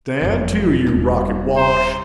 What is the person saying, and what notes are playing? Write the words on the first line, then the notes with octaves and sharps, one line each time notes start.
"Stand to, you rocket wash!"
F#1 F2
D#1 E4
C5